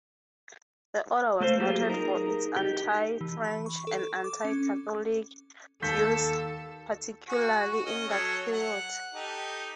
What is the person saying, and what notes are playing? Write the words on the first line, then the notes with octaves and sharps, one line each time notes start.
The Order was noted for its anti-French and anti-Catholic views, particularly in that period.
A3 B4 C5 F5
F#3 A#3 F4 G4 G#4
D#4 G#4 A#4 A#5
D#4 G4
E3
B5
C#6
A4
D6
C#4
D#2 A4 G6 B6
F#4 G#5
F#4
C#4 D#5
F#3 A4 C#5
F#5
D#4 G4 A4